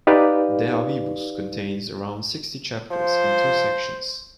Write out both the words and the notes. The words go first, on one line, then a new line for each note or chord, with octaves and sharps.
"De avibus" contains around sixty chapters in two sections.
D#4 G4 B4 D5 F5
F3 C5